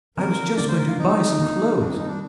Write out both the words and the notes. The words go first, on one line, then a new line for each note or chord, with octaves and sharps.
I was just going to buy some clothes.
D3 F3 C4 A#4
D3 A3 D4 D5
C5
A#4
F4
D#3 G3 C4 D#4
D#3 A#3 D4
D#3 G3 C4 D4
D#4
D4